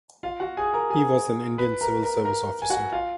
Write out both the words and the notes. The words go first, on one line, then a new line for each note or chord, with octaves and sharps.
He was an Indian Civil Service officer.
F4 F5
F#4 F#5
G#4 G#5
A#4 A#5
G#4 G#5
B4 B5
A#4 A#5
A#4 A#5
A#4 A#5
G#5
F#4 F#5
F4 F5